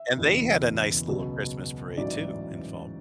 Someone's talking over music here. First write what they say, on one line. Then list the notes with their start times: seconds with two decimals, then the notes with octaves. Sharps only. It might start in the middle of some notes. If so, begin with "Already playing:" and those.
And they had a nice little Christmas parade, too, in Fall
Already playing: E5
0.16 F#1 E2 B2
1.07 C#2 B2 F#3
1.97 A1 G#2 F#3 D5